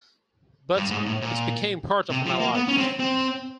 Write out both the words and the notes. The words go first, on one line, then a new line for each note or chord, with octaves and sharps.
But it became part of my life.
G2
G#2
A2
A#2
C3
F3
A#3
B3
C#4
C4
C4